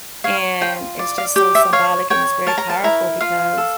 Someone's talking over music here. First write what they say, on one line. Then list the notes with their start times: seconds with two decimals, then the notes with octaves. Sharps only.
And it's just so symbolic, and it's very powerful because
0.24 C#5 F5
0.61 F4 G5
0.99 D5
1.18 F5
1.36 G4 G5
1.55 E5
1.73 C#5 F5
2.10 C#5 G5
2.47 A#4 A5
2.58 A#5
2.70 A5
2.84 E4 A#5
3.21 F4 F5
3.57 A4